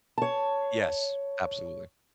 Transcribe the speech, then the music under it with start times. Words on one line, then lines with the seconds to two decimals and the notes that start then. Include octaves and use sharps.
Yes, absolutely.
0.18 C#5 A5